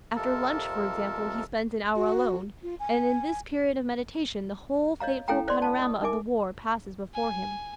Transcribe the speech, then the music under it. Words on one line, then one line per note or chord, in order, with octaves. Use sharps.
After lunch, for example, he spends an hour alone, and in this period of meditation the whole fateful panorama of the war passes before him.
F2 C3 F3 A4 A#4 A5
F#4
F4
G#5
C#5 D#5 F5 A#5
C#4 E4 A4 F5 G5 A#5
C5 D5 D#5 C6
A5
D#5 D#6
D#4 A#4 E5 G#5 D6
G#5